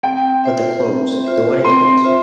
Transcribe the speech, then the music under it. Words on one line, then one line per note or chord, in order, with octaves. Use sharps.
But the clothes, the wedding clothes!
C4 G5
F4 C5 E5
C4
F4 C5 E5
C4 C6
F4 C5 E5